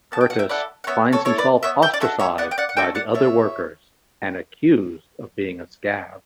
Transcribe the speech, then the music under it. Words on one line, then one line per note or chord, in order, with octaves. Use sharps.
Curtis finds himself ostracised by the other workers and accused of being a scab.
B3 A5
G5
F#5
E5 G5
E4 A4 D5 F#5
F#5
B3 C#5 E5
A4 C#5
E4 A4 C#5
B4 D5
B3 C#5 E5
E5 G5
D5
D4 F#4 A4 C#5 E5
C#5 E5
B3 D5 F#5
G5
D5 F#5
F#5
D4 F#4 A4 E5 G5
D5 F#5
D4 C#5 E5